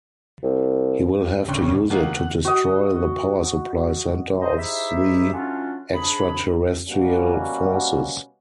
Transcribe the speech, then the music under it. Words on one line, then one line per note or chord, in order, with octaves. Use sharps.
He will have to use it to destroy the power supply center of the extraterrestrial forces.
C2
D1 D2 C#3 G5 C6 F#6
D#2 E3 A#3 D#4 F#5
F#4 D#5
C5 D#5
D#4 E4 G4 G#4 C5 E5
F#3 A3 C#4 D4 F4
G#2 D4 G#4 B5
B2 G3 A#3 B3 C#4 F#4